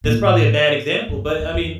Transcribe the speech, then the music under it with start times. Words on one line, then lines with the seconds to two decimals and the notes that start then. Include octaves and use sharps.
it's probably a bad example, but, I mean,
0.04 A#2
0.18 A2
1.09 G2
1.25 F2
1.39 E2
1.54 F2